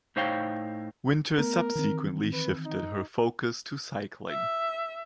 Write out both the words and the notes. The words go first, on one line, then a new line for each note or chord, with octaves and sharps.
Wynter subsequently shifted her focus to cycling.
A2 D#4 C5 C#5 F5 G5
A3 B3 A#4
D#3 E3 C4
B4
D#4
E5